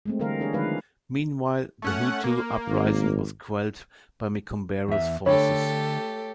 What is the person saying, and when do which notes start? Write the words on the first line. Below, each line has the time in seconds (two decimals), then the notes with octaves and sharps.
Meanwhile, the Hutu uprising was quelled by Micombero's forces.
0.06 G#3 A3 C4
0.20 D3 E3 G3 A#4 F5
0.40 E3 D4 G#4 C#5
0.53 D3 D#3 F3 G#3 B4 F5
1.82 A3 C#4 F#5
2.24 A#3
2.68 G#1
4.88 E2 E5
5.26 D3 A3 G4 A4 C#5 B5